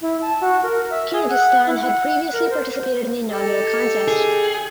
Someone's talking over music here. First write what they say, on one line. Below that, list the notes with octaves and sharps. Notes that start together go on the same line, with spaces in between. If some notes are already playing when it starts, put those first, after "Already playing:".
Kyrgyzstan had previously participated in the inaugural contest.
E4
A5
F#4
A#4
E5
G#4
F#5
E4
F#5
A#4
C5
D#4 G4 A4
G#4